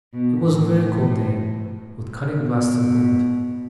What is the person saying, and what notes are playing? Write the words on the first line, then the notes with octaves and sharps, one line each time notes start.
It was a very cold day, with cutting blasts of wind.
B2
A2
B2